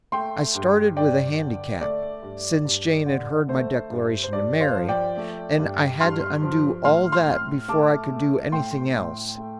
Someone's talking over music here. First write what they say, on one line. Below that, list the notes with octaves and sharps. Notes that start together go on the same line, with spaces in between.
I started with a handicap, since Jane had heard my declaration to Mary, and I had to undo all that before I could do anything else.
A3 G5 C6
G2
G2 D5 G5
D3
A3 D5
G2
G2
D3
A3 C5
G2
C5
G2 D5
C5 F5
F3
D5 G5
A3
G2
G2 C6 F6
F3
A2 C6 F6
C6 F6
A2
A3 A5 D6
A3
A2 G5 C6
A2
A3